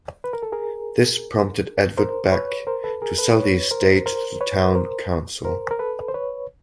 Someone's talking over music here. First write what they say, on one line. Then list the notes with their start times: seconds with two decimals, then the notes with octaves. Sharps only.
This prompted Edvard Bech to sell the estate to the town council.
0.24 B4
0.33 A#4
0.42 A4
0.52 G#4 A#4
1.97 A#4 C5
2.32 B4 C#5
2.67 A#4 C5
2.84 A4 B4
3.02 G#4 A#4
3.18 A4 B4
3.36 B4 C#5
3.71 A#4 C5
4.06 A#4 C5
4.41 B4 C#5
4.63 B4
4.75 A#4 C5
5.45 A#4 C5
5.71 A#4
5.79 A4 B4
6.08 C5
6.14 B4 C#5